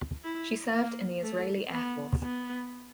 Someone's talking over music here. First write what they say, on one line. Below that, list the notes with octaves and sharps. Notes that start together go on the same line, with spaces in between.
She served in the Israeli Air Force.
E4
A#3
A3
B3
B3